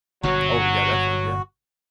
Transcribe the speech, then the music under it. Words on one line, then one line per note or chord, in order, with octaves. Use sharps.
Oh, yeah, definitely, yeah.
G1 G2 B2 F#3 F#4